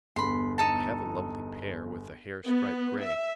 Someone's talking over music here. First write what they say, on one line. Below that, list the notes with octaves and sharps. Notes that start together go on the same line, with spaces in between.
I have a lovely pair with a hair stripe, grey.
G1 E2 B5 C6
D#4 A4 A5
B3
E5